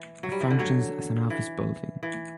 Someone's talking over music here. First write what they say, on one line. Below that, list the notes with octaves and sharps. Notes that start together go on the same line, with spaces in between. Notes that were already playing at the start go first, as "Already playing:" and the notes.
It functions as an office building.
Already playing: E3
F#3
G3
E3
D3
F#3
E3
E3